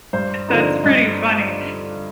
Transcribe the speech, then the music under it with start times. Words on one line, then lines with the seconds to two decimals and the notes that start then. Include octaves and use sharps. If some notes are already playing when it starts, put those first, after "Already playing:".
That's pretty funny.
0.13 G2 C5
0.48 D3 F3 C4 D#4
0.84 G2 D#5